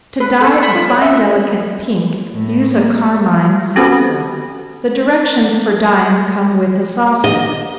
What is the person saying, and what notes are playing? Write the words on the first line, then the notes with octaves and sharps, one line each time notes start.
To dye a fine delicate pink, use a carmine saucer--the directions for dyeing come with the saucers.
B4
A4
B5
F4
C#5
E5
A2
A#3
C4 C#4 F#4 G4 A4 C5
D#5